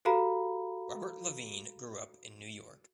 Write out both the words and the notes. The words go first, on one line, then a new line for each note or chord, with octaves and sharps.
Robert Levine grew up in New York.
F#4 G4 A4 F5 A#5 B5